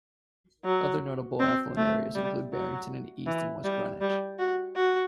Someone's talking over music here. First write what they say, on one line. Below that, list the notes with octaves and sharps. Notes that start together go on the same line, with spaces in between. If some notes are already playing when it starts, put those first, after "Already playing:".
Other notable affluent areas include Barrington and East and West Greenwich.
F#3
C4
A3
G3
F#3
E3
G3
G3
F#4
F#4